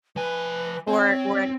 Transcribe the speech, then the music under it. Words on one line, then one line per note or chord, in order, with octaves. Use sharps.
or or
F3 B4 G#5
C4 C#5